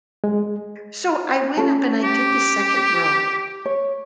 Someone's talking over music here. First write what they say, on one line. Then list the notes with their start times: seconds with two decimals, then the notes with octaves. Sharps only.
so I went up and I did the second row,
0.24 G#3
1.57 C#4 A4
2.03 G4
3.65 C#5